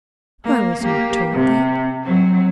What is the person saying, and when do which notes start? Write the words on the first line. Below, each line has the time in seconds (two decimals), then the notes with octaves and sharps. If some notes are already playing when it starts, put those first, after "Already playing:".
"I was not told that."
0.44 A#3
0.80 A#3 G4
1.32 C3
2.03 F#3 C4